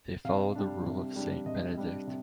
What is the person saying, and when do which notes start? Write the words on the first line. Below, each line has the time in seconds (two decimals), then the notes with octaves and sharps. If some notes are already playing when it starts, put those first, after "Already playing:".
They follow the rule of Saint Benedict.
0.25 C3 F5
0.55 G3 D4
0.86 C3
1.16 G3 D4
1.46 C3 D#5
1.77 G3 D4
2.07 C3